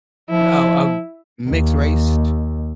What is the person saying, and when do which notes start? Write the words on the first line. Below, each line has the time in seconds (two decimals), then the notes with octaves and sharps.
Oh, um, mixed raced?
0.30 F3 E4
1.49 D#2